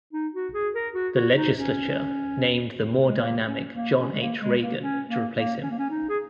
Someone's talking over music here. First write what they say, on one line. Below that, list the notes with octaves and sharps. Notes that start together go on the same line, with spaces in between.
The legislature named the more dynamic John H. Reagan to replace him.
D#4
F#4
G#4
A#4
F#4
F#4
D#4
C#4
G#3
A#3
C#4
A#3
C#4
G#3
A#3
G#3
A#3
C#4
A#3
A#3
C#4
A#3
C#4
D#4
G#4